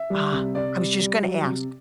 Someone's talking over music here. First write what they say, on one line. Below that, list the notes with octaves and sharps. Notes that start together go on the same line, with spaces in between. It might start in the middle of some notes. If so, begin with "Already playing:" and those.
Ah, I was just gonna ask.
Already playing: E5
G3
C3
C3 D5
G3
G3
F#3
C3